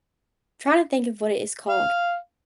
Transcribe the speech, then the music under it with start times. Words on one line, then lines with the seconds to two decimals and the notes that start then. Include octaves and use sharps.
trying to think of what it is called.
1.69 F5